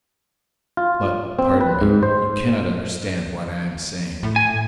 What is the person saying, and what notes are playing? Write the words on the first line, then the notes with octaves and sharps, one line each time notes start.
But, pardon me, you cannot understand what I am saying.
F4
C4
B4
G#2
C5
A2
G#5